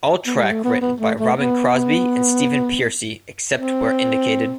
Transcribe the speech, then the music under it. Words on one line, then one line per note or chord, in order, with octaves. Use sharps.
All track written by Robbin Crosby and Stephen Pearcy, except where indicated.
B3
A3
G3
A3
B3
B3
A3
A3
B3
C4